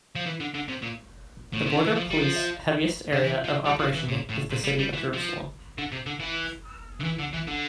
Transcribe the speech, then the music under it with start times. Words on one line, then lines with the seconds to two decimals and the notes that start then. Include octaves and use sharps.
The Border Police heaviest area of operation is the city of Jerusalem.
0.15 F3
0.26 E3
0.40 D3
0.54 D3
0.68 C3
0.82 A#2
1.53 A2
1.66 C3
1.76 D3
1.86 E3
1.95 F3
2.10 G3
2.16 F3
3.13 D3
3.23 E3
3.44 F3
3.65 G3
3.79 F3
3.94 E3
4.08 A#2
4.29 A2
4.50 A#2
4.64 G3
4.79 G3
4.93 E3
5.14 F3
5.78 D3
5.92 C3
6.06 D3
6.20 E3
7.01 D3
7.04 E3
7.19 D3
7.34 E3
7.48 D3